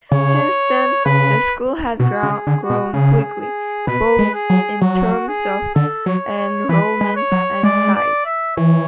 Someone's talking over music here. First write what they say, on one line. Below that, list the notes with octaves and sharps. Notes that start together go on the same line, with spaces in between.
Since then, the school has grown quickly, both in terms of enrollment and size.
C#3 C#5
C#3 B4
B2 F#4
C#3
G#4
D3
F#4
B2
C#3 G#4
G#4
B2 B4
G#3
G#4
F#3
F#3 F#4
G#4
D3 A4
F#3 C#5
C#5
E3 B4
G#3
C#5
F#3
G#3 D5
D5
E5
E3 C#5